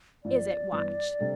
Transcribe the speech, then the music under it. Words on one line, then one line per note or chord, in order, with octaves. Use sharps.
"Is it, Watch?"
G1 G2 F3 D5
G2 E3 B3 E4
C3 G3 D4 A4